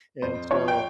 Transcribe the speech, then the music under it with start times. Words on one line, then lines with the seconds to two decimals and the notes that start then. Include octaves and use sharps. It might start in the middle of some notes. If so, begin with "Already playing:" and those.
And so
0.22 F2 C5
0.50 F3 C#5
0.68 G5